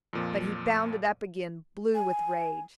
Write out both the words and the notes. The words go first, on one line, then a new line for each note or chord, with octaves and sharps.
But he bounded up again, blue with rage.
F2 A#2 F3
G#5